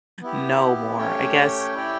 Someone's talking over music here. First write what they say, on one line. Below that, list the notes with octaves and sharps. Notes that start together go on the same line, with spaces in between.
know more? I guess,
B3 E4 G4
A3 C#4 G4 C#5 G5
E4 G4 D5 G5